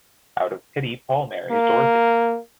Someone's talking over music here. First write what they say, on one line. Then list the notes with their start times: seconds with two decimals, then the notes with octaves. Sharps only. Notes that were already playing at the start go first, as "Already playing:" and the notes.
Out of pity, Paul marries Dorothy.
1.50 A#3